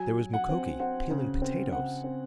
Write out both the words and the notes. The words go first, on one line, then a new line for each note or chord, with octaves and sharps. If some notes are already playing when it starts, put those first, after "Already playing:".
There was Mukoki--peeling potatoes!
Already playing: F#3 G#5
F#3
F#5
C4
C4 F#5
C#3
C4
C#3 F#5
C4